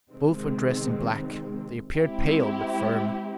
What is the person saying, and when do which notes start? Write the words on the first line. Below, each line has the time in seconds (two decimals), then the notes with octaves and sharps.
Both were dressed in black; they appeared pale, but firm.
0.11 C3 D#3 G#3 C4
1.97 G#3 C4 E4 G4